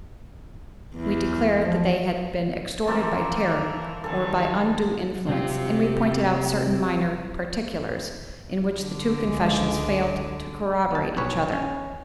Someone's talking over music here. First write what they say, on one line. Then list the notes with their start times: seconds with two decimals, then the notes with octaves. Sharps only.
We declared that they had been extorted by terror, or by undue influence; and we pointed out certain minor particulars in which the two confessions failed to corroborate each other.
0.96 E2 E4
1.59 F3
2.87 E3 A#3 C4 A4
4.04 D#3 G3 A4 G#5
5.29 C2 F#3 C4 F4 G4
8.82 D3
9.21 C#2 G#3
10.91 B3 A5
11.17 B1 B4 C#5
11.52 C#4